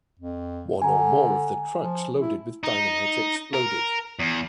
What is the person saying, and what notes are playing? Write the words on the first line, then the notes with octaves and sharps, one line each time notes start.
One or more of the trucks loaded with dynamite exploded.
F2
D3 G#5 A#5
F3
E4
D#4
A#4
E2